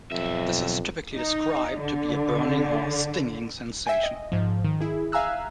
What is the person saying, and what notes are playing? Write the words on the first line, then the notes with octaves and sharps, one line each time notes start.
This is typically described to be a burning or stinging sensation.
B1 F2 E5
D#4
D3
E5 G5 G#5
D#5
G#2 F3
D#3
E4 G#4
E5 F5 G#5 A#5 E6 F#6